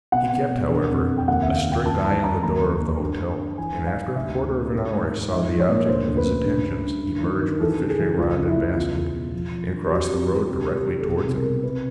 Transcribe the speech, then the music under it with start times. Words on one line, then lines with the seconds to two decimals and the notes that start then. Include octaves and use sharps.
He kept, however, a strict eye on the door of the hotel, and after a quarter of an hour saw the object of his attentions emerge with fishing-rod and basket, and cross the road directly towards him.
0.12 B2 F#5
0.32 B2
0.51 B2
0.71 D3
0.89 F2
1.09 F2
1.17 G5
1.28 D#2 F#5
1.42 C#3 E5
1.56 F5
1.67 D#2 G5
1.85 F#2 A5
2.04 E3 A5
2.24 F#2 A#5
2.43 D#2 A#5
2.63 D#2
2.81 D#2
3.00 G2
3.20 G2
3.39 D3
3.58 E3 G#5
3.77 G#2
3.86 F5
3.97 G#2
4.16 D2 E5
4.35 D2
4.53 C3
4.72 G#2
4.92 G#2
5.11 G#2
5.31 F3 E5
5.50 F3
5.60 C#5
5.69 A#2
5.88 D2 C5
6.07 D2
6.17 B4
6.27 C#3
6.45 G2
6.65 G2
6.84 G2
7.03 G2
7.23 D#3
7.42 D#3
7.60 E3 A4
7.79 C#3
7.90 G#4
7.99 E3
8.18 C#2 F4
8.38 C#3
8.47 E4
8.57 C#2
8.75 E2 F4
8.95 E2
9.14 B2
9.33 F3
9.53 F3
9.72 D3
9.86 G4
9.91 F2 F#4
10.10 F2 G4
10.29 E3
10.48 C3 G4
10.67 C3
10.77 G4
10.87 D#3
10.99 A4
11.05 B2 G#4
11.25 C2
11.35 A#4
11.44 B2
11.63 C3 B4